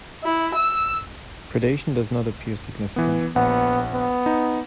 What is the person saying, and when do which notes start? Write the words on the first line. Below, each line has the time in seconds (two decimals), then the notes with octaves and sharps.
Predation does not appear significant.
0.23 E4
0.55 E6
2.96 E3 B3
3.36 A#1 B3 F#5
3.93 B3
4.26 D#4